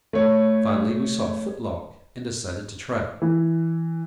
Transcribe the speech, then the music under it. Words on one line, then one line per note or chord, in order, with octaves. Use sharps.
Finally we saw a foot-log, and decided to try it.
A3 C#5
E3